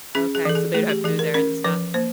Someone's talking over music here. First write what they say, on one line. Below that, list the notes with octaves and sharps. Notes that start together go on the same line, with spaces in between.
Okay, so they'd have food there and stuff?
C#4 G#4
G#4
E3 A4
G#4
A3 G#4
G4
E3 G#4
A#4
C#4 A#4
F3 B4
A#3 C5